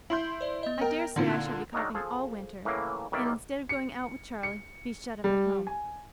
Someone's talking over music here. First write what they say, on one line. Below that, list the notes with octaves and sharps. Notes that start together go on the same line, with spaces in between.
I dare say I shall be coughing all winter, and instead of going out with Charley, be shut up at home.
E4 C6 G6 F#7
C5 D5
B3 D#5
A#4 G5
A#2 D3 C4 D#4 E4
F#6 G#6
D#3 F#3 G#3 D4 D#4 A#4
F3 G#4 A4
A2 C#3 E3 F#3 A#3
B1 D#3 G3 A#3 E4 D5
C#7
C#7
G3
G#5